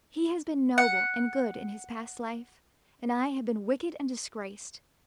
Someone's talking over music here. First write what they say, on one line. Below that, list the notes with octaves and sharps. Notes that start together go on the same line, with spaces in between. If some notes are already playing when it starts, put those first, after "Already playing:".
He has been noble and good in his past life, and I have been wicked and disgraced.
F#5